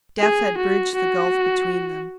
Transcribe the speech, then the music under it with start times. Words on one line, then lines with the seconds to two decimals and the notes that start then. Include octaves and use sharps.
Death had bridged the gulf between them.
0.19 G#4
0.57 F#4
0.95 F#4